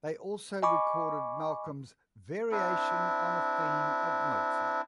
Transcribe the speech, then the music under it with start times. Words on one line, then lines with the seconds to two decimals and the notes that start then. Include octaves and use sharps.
They also recorded Malcolm's "Variations on a Theme of Mozart".
0.63 D#5 G#5 B5 C#6 D6
2.51 C4 D4 E4